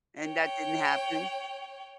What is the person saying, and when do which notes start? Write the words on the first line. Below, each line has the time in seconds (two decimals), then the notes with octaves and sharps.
And that didn't happen?
0.23 C#5 G5